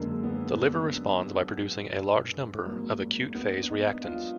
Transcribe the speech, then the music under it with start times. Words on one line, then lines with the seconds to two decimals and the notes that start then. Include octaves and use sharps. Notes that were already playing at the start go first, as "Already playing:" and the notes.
The liver responds by producing a large number of acute-phase reactants.
Already playing: F#2 D3 G#3 A#3
0.23 B3
0.58 D4
2.66 G#1 G#2 F#3 A#3
3.35 B3
3.61 D4
3.70 D#4
4.04 F4